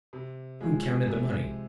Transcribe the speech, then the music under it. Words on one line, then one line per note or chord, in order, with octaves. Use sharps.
Who counted the money?
C3
F3 G#3
C3